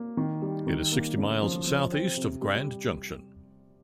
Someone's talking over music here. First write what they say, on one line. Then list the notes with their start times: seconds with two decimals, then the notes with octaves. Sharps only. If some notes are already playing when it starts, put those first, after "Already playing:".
It is sixty miles southeast of Grand Junction.
Already playing: A#3
0.17 D#3
0.42 G3
0.67 D#3
0.92 A#3
1.17 C#3
1.42 F3
1.67 F3
1.92 C4
2.17 C3
2.42 G3